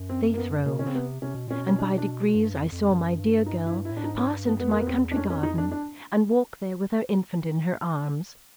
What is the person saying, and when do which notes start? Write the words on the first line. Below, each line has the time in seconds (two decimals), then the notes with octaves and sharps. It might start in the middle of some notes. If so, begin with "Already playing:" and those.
They throve, and by degrees I saw my dear girl pass into my country garden and walk there with her infant in her arms.
Already playing: F#2
0.09 C4
0.34 A#3
0.37 B3
0.66 B2 A#3
0.79 C#4
0.86 C#3 C4
0.94 C3 B3
1.22 C3 C#4
1.34 B2
1.47 A#2 C#4
1.59 B2
1.68 C#4
1.79 D4
1.98 D4
2.35 G2
2.54 F2
2.72 F2
2.91 F#2
3.20 G2
3.46 D#4
3.66 E4
3.85 E4
3.92 A2
3.97 D4
4.03 G#2 D#4
4.18 C#4
4.31 G2
4.45 B3
4.60 F2 B3
4.72 A#3
4.80 B3
4.87 E2 C4
5.11 D4
5.15 F2 C#4
5.30 C#4
5.43 D#4
5.58 D4
5.72 D4